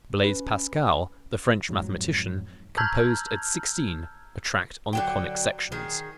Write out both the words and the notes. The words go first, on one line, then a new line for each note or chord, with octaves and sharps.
Blaise Pascal, the French mathematician, composed at sixteen a tract on the conic sections.
C#4 B4
F2 G#2 F#3
A5 A#5 E6 F6 G6 G#6
D3 F#3 G5
D#3 G#4